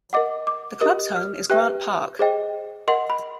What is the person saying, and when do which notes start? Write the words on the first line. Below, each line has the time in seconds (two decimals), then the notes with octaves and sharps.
The club's home is Grant Park.
0.13 A#4 D#5 F#5 D6
0.47 D6
0.81 G4 A#4 D#5 D#6
1.16 F6
1.50 G4 B4 E5 G5 F#6
2.19 G#4 C5 D#5 G5
2.88 A#4 D#5 F#5 C6
3.10 B5